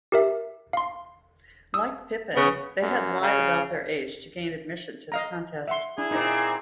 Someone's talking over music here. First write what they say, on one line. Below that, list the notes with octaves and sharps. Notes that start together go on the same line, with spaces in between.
Like Pippin, they had lied about their age to gain admission to the contest.
G4 A#4 E5
F5 C6
D#6 E6
C#3 B3
F#2
C#3
D#5 F5 A#5
E5 F#5 C6
D4 E4 G#4
A#2 C4 D#4